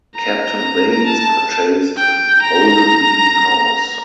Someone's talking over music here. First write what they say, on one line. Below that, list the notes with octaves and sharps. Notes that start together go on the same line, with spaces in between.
Captain Baynes purchased Holdenby House.
A#5
A5
G5
A#5